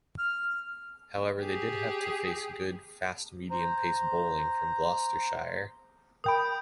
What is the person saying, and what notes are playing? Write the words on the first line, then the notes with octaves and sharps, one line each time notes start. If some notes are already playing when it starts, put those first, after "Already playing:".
However, they did have to face good, fast-medium-pace bowling from Gloucestershire.
F6
G4 G#4
C5 A#5
A#4 G5 B5 D#6 G6 D7